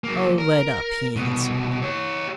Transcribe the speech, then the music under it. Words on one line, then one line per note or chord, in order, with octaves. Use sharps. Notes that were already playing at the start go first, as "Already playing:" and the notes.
"Oh, let up," he answered.
F#3 A#3
A#4
C2 B2
G4 C#5